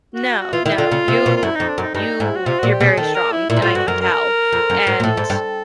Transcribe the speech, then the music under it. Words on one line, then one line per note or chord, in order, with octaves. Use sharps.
No, no, you you you're very strong, and I can tell, and
F#4
F#4
E3 F4
D#3 E4
D3 F4
C#3
C3
B2
F4
F#2 E4
F2 D#4
D4
F#2
D#4
G2 D#4
G#2 E4
F#4
C3 F4
A#2 F#4
G4
B2
G#4
D#3 A4
A#4
E4
A#2 E4
G#2
A2 F4
G2 F#4
F#2 A#4
A#4
F2
F#2
G#2
A#2
A2 A4
G#2
G2